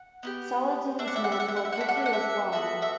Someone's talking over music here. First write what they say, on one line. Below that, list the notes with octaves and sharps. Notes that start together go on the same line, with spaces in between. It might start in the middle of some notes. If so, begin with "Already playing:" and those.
Saladin's men were quickly overwhelmed.
Already playing: F#5
B3 E4 G4
D4 G4 E5
F#5
E5
F#5
E5
F#5
E5
F#5
E5
F#5
D4 F#4 A4 E5
F#5
E5
F#5
E5
B3 F#4 A4 E5
E5